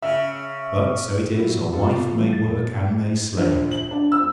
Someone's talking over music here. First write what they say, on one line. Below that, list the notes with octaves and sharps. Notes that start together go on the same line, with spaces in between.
But so it is: a wife may work and may slave!
C#3 E5
F#3 E4
F4 A4
E3 G3 B3
F2 A#2 A6
A#1
F#7
D4
E6